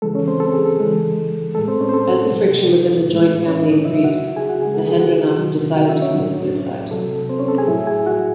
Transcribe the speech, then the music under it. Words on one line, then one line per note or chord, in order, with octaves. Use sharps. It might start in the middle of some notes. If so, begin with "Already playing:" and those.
As the friction within the joint family increased, Mahendranath decided to commit suicide.
C#3 E3 G#3 A4
C#4 C#5
C4 C5
A4
G#4
A4
C#3 E3 G#3
A2 G#3 A4
C4 C5
C#4 C#5
C5
A4
C3 F#3
A2 E3 G#3
C#4 C#5
D#4 D#5
D#4 D#5
C#3 F#3 E4 E5
F#4 F#5
G#4 G#5
F#4 F#5
C#3 G#4
G#3
A4
G#4
F#4 F#5
C3 D#3 F#3
F#4 F#5
E4 E5
C#4 C#5
A2 F#3
C3 F#3 A4
C4 C5
C#4 C#5
A4
G#4 G#5
A2 F#3 E4 E5
G#4 G#5
F#4 F#5